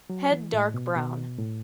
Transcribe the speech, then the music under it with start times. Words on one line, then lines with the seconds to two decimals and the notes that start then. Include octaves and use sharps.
Head dark brown.
0.10 F#3
0.31 E3
0.53 A2
0.74 B2
0.96 B2
1.38 A2